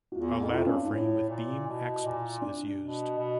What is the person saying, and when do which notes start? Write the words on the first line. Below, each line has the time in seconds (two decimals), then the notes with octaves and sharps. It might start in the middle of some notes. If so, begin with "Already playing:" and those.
A ladder frame with beam axles is used.
0.12 F#4
0.16 E2 F4
0.41 F2
0.49 E4
0.54 F4
0.66 G2 C#4
0.74 D4
0.83 D#4
0.91 A2 E4
1.29 A#2
1.67 B2
2.05 A#2
2.42 D4
2.80 B2
3.18 B2